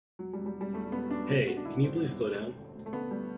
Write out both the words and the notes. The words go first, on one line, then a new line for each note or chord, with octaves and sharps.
Hey, can you please slow down?
E1 F#3
G3
E1
G3
B2
G3
E2 A3
E1 B3
E1 D4
G1 F#4
G1 F#4
D4
D3 E4
G2 C4
G1
G1
D2
D3
D2
A3
D3 B3
D2 G3